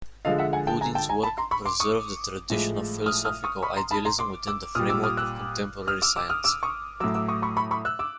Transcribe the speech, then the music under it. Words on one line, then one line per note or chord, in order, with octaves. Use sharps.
Boodin's work preserved the tradition of philosophical idealism within the framework of contemporary science.
D3 F3 G#3 D#5 F5
E5 F#5
F#5 G#5
G5 A5
G#5 A#5
G5 A5
G#5 A#5
A5 B5
A#5 C6
B5 C#6
C6 D6
C#6 D#6
A2 F3 G#3
D#6 F6
D#6 F6
C#6 D#6
B5 C#6
A#5 C6
A5 B5
A#5 C6
C6 D6
D6 E6
A#2 G3 D#6 F6
D6 E6
D#6 F6
E6 F#6
D#6 F6
D6 E6
D6 E6
D#6 F6
D6 E6
C#6 D#6
A2 F#3 D6 E6
D6 E6
C#6 D#6
B5 C#6
B5 C#6
B5 C#6
E6 F#6
D6 E6